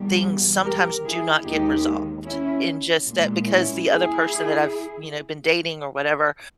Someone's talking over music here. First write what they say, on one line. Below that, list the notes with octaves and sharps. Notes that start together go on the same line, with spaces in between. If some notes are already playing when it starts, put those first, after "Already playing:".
things sometimes do not get resolved in just that because the other person that I've, you know, been dating or whatever,
Already playing: E2 B2 G3
G4 A#4
E4 G#4
D#2 D#3 G#3 D#4 G4
C#4 E4
A#2 G#3
C#4 E4
E4 G#4